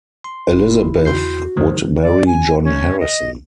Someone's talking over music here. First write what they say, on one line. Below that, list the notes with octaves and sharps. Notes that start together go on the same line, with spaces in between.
Elizabeth would marry John Harrison.
C6
F#1 E4
E2 F#4 C6 G6 C7
F#2 D#3 F#3 C5
D5
G#5
C#4
D#5